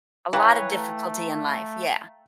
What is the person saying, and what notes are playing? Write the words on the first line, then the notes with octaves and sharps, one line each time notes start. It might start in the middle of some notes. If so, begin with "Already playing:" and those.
A lot of difficulty in life, yeah,
E3 B4 C#5 F5 G5 A#5
A3